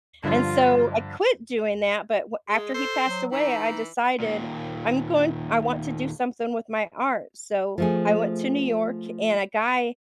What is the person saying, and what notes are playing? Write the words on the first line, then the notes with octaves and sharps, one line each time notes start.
And so I quit doing that, but w after he passed away, I decided I'm going I want to do something with my art. So, I went to New York, and a guy
G2 D3 F3 F4
G#3 G#4
A4 C5
F#3
E3 D#4
D#2 A#2
F3 A3 G#4